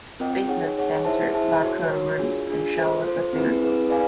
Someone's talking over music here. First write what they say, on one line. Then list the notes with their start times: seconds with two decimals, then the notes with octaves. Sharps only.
Fitness Center, locker rooms, and shower facilities.
0.20 C4 F4 A#4 D#5 G5
0.48 D#4 G#4 C#5 F#5
0.77 D#4 G#4 C#5 F#5
1.05 E4 G#4 C5 E5 A5
1.34 E4 G#4 C5 E5 A5
1.63 F#4 A#4 C#5
1.91 F#4 A#4 C#5
2.19 D4 F4 G#4
2.47 D4 F4 G#4
2.76 F4 A4 C5
3.04 F4 A4 C5
3.33 C4 E4 G#4 B4
3.62 C4 E4 G#4 B4
3.89 G#4 B4 D5 F5 G#5